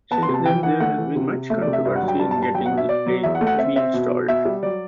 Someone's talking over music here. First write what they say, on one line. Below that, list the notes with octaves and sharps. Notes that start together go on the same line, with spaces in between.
Since then there has been much controversy in getting the plaque reinstalled.
B3 A5
C6
C3
A5
E3 G5
E3 F#5
A3 F#5
E3
C3
C3
A3 E5
D5
C3
E5
G2 E5
F#5
F#3
G5
G2 A5
A5
G2
A5
F#3 G5
F#5
B2
E5
B2 D5
F#3
E2 E5
F#5
A3
F#5
C4 E5
C4 E5
B2
B2
B2 E5
G3
F#3 D5